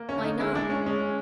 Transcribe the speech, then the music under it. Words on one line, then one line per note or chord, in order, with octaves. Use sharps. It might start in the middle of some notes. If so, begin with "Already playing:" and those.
"Why not?"
Already playing: A#3
C#4
D3
D#4
G#3 E4
D4
G#3
C#4
G#3 C#4